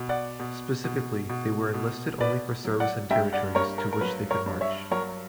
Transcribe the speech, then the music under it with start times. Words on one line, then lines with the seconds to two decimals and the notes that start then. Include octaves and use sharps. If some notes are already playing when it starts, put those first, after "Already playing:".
Specifically, they were enlisted only for service in territories to which they could march.
Already playing: B2
0.09 D5 F#5
0.40 B2
0.84 B2
1.30 B2
1.74 B2
2.21 B2 B4 D5
2.65 F#3
2.80 D5 F#5
3.10 G2 E5 G5
3.33 D5 F#5
3.55 G2 A#4 C#5
3.78 A#4
3.93 A#4
4.01 F#3 B4
4.31 A#4 C#5
4.46 G2
4.61 C#5 E5
4.91 F#3 A#4 C#5